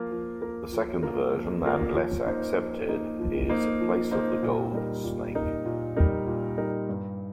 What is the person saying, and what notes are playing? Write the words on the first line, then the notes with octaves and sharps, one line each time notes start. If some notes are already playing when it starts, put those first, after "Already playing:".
The second version and less accepted is "place of the gold snake".
Already playing: F3 A#3 F4 A#4
F3
A#3 F4 A#4
F3
A#3 F4 A#4
F3
A#3 F4 A#4
F3
A#3 D#4 C5
F3
A#3 D#4 C5
F3
A#3 D#4 C5
F3
A#3 D#4 C5
A#2
G3 D#4 A#4
A#2
G3 D#4 A#4
A#2
G3 D#4 A#4
A#2
G3 D#4 A#4
G2